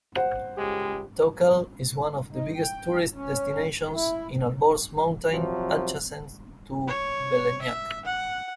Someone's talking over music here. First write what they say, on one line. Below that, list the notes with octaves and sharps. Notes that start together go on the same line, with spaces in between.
Tochal is one of biggest tourist destinations in Alborz Mountain adjacent to Velenjak.
C5 F#5
C#2 G#3 G4
D#4
G5
C#4
D#3
E4
C3 F3 F#3
C#5
E5
F#5